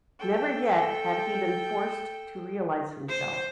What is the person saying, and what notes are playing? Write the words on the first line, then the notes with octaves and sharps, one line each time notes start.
Never yet had he been forced to realise himself.
A4 G5
C5